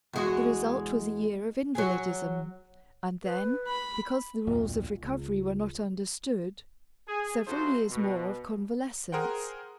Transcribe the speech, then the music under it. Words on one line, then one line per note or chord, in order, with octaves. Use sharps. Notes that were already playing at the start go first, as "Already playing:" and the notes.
The result was a year of invalidism, and then, because the rules of recovery were not understood, several years more of convalescence.
E2 G#3 F#4
F#3 G#4
B4
B5
D1 G#1 F2 A#2
C#2
G#4
C3 F3 D#4 F#4 A4 C5
B2
G#4 A#4 C5 F#5 G5